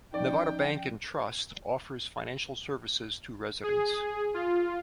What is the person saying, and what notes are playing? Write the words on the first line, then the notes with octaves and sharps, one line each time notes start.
Nevada Bank and Trust offers financial services to residents.
F3 C#4 D#4 D5 G5
G#4
F4